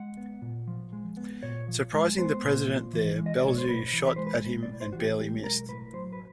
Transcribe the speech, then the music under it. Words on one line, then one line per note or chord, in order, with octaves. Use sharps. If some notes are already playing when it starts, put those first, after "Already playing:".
Surprising the President there, Belzu shot at him and barely missed.
Already playing: G#3 F#5
B3
A#2
F3
G#3
B3
A#2 C#5
F3
G#3
B3 C5
A#2
F3
E3
G#3
D#5
D5
B1 C#5
C5
A2 B4
E3
B4
G#3 C5
B4
B1
D5
A2
C5
E3 F#4
G4
G#3 G4
B1 A#4
A2 B4
F#3 C5
B4